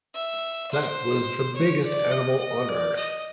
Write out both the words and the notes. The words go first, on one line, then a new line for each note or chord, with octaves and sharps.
That was the biggest animal on earth.
E5
C5
C#5
D5
D#5
D#5
D5
D#5